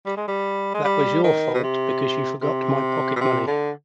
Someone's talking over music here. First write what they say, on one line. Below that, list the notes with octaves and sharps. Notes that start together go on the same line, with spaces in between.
That was your fault, because you forgot my pocket-money.
G3
G#3
G3
G#3
G3
D#3
B2
C3
C3
B2
C3
D3